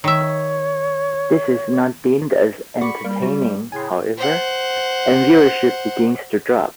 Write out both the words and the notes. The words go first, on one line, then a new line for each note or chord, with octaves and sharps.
This is not deemed as entertaining, however, and viewership begins to drop.
D#3 C#5 E5
F#4 D5 B5 C#6
G3 A#3
F#3
A2 C#3 G#5 C6
C5 F#5